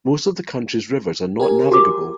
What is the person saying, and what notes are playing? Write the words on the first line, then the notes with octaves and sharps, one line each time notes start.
Most of the country's rivers are not navigable.
G4 A#4 G#5
F#4 D6